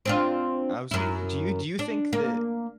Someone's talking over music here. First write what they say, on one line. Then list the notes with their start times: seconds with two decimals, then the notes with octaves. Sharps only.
Absolutely. Do you do you think that
0.05 C4 D4 F4
0.91 F#2 E4
1.79 D4
2.13 A#3